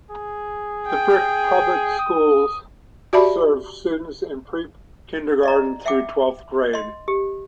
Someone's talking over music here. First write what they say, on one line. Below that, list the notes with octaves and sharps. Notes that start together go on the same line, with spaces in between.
The Brick Public Schools serve students in pre-Kindergarten through twelfth grade.
G#4
G5
D#6
F#4 G4 D5 E5 A5 B5
D5 D#5 A#5
E5 F#5 G5 D6
D#5 C6
G4